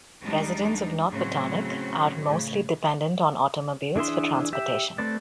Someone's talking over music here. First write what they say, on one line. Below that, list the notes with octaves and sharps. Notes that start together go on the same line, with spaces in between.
Residents of North Potomac are mostly dependent on automobiles for transportation.
E2 G3 G#3 D4 D#4
A2 C#3 F#3 C4 C#4 F#4
A2 C#3
E3 D4 G#4 E5 C6
G4 E5
A3 C4 B4 D5